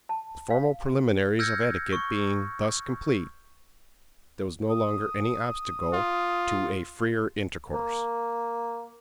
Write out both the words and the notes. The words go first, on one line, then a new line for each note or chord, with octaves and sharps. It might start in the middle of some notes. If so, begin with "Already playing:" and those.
The formal preliminaries of etiquette being thus complete, there was no longer any obstacle to a freer intercourse.
A5
F5
E6 F6 G6 G#6 A#6 C#7
C#6
D#6
F4
A#3